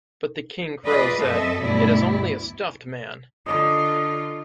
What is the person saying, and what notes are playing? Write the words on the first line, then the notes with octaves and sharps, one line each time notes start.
But the King Crow said, "It is only a stuffed man".
F4 G#4 B4 D5 D#5
F#2 C4 A4 D#5 E5
D2 G2 B2 F#3 E4 D5
D3 F4 D#5 A#5 D6